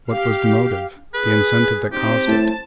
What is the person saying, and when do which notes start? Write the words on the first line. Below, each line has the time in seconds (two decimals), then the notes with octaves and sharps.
What was the motive, the incentive that caused it?
0.11 G4 F5
1.14 G#4 B4
1.92 C4 D#4 G4
2.28 A2 A5